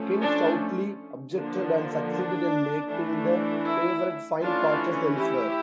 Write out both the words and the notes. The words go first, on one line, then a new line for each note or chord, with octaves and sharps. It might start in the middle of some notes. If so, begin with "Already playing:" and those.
Ken stoutly objected and succeeded in making the favourite find quarters elsewhere.
Already playing: F3 A3 C#4
D4
D3 F3 A#3 D4
D4
E3 A3 D4
E4
E3 A3 C#4 D4 F4
E4 G4